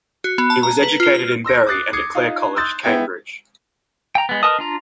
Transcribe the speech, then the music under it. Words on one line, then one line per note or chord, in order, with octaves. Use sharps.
He was educated in Bury and at Clare College, Cambridge.
F#4
B3
A5
A#5
B4
F4
F6
C6 E6 A#6 D7
D6 D#6 F#6 A6 C7
D6 D#6 G#6 C7 C#7
D#4 F4
C6 D#6 E6 F#6 G6 A6
G#3 B3 E4 G5 G#6
G5 A#5
G#3 B3
A#4 B4 D#5 A5 D#6
D4 F4 A#5